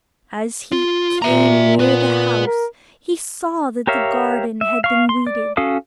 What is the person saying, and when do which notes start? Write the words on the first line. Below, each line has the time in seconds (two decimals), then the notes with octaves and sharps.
As he came near the house, he saw that the garden had been weeded.
0.72 F4
1.22 A#2 E5 A#5
1.80 B4 F#5
2.47 A#4
3.87 G4 A#4 C#5 E5 F5
4.61 E5
4.84 F5 C#6
5.09 C6
5.27 D5
5.57 C#4 F#4 A4 F5 D#6